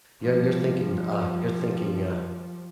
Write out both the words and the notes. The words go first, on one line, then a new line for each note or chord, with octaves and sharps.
Yeah, you're thinking, uh you're thinking, uh
F3 G3